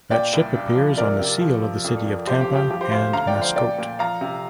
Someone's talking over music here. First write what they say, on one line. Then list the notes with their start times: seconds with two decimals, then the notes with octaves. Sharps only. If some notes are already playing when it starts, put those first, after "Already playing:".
That ship appears on the seal of the city of Tampa and Mascotte.
0.11 A#2 D5 G5
0.33 C2
0.54 G2
0.76 F3
0.97 C3 A#4 D5
1.19 C3
1.41 F3
1.63 F3
1.84 F2
2.05 F2
2.27 F3 G4 C5
2.41 G4
2.48 G2
2.56 G4
2.70 F3 G4
2.81 G4 C5
2.91 D2 C5 F5
3.13 D3 F5 A#5
3.27 D5 G5
3.35 F3
3.42 C5 F5
3.56 A#2 D5 G5
3.78 A#2
3.99 F3 F5 A#5
4.21 C3